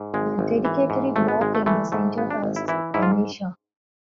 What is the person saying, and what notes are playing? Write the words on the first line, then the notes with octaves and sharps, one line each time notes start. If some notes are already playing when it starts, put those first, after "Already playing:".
The dedicatory block in the centre has Ganesha.
Already playing: G#2
G#1 G#3
G#1
E3
G#2
G#1 A3
B3
G#1 G#3
A3
E3 A3
G#2 A3
G#1 B3
D4
G#1
E4
E3 E4
G#2 E4
F4